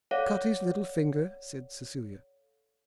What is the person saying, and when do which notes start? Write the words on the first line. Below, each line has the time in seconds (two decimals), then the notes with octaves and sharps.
"Cut his little finger," said Cecilia.
0.11 A4 C#5 D5 F5 F#5